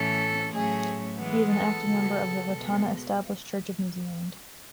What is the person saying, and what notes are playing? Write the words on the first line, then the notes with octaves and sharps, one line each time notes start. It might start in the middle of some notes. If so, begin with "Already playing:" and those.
He is an active member of the Ratana Established Church of New Zealand.
Already playing: A2 E3 A3 C#4 A4
A2 F#3 A3 C#4 G#4
E3 G#3 B3
A4
C#3 F#3 B3
B2 G#3 B3